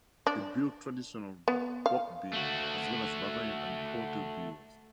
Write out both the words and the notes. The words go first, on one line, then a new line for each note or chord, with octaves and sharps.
It brewed traditional Bock beer, as well as Bavarian and Porter beers.
D4
B3
F5
A3 F#4